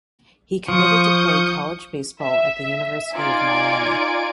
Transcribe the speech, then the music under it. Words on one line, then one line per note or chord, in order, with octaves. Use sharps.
He committed to play college baseball at the University of Miami.
F3 C#6 D#6 G6
E5
D#4 F4 D5 G#5 G#6 D7